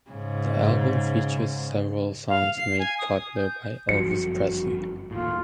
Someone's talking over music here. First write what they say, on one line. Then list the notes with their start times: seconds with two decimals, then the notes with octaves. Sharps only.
The album features several songs made popular by Elvis Presley.
0.11 G#2 C#3
2.29 F5
2.57 C7
2.79 G#5
2.99 D#6
3.36 G6
3.89 G1 F#2 F3 F#4 C#7
5.11 D#2 A2 F4